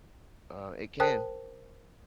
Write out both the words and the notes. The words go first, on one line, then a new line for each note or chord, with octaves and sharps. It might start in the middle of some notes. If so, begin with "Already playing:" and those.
Uh, it can.
A#4 C5 G5 A5 D#6 F#6